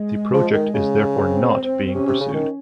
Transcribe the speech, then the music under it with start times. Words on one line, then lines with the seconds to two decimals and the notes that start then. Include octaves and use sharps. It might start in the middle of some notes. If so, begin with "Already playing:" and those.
The project is therefore not being pursued.
Already playing: G#3
0.33 F3
0.53 D#3
0.74 C#3
1.14 C4
1.94 C3 C#4
2.07 C3
2.20 C#3
2.34 D#3